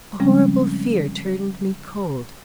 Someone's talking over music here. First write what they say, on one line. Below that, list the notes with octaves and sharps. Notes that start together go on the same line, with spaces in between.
A horrible fear turned me cold.
C#3 F3 G3 G#3 C4 C#4